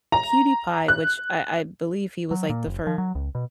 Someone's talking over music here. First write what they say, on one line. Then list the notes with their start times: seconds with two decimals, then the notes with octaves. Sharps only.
PewDiePie, which I I believe he was, like, the first
0.12 A#5
0.88 F#6
2.31 F#3
2.50 A#2
2.66 F#1
2.87 F3
2.98 F#3
3.15 C#2
3.35 B2